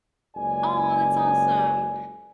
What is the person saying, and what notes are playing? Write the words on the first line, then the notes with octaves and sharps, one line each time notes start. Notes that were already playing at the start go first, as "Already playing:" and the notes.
oh, that's awesome!
F#1 C#2 D5 G#5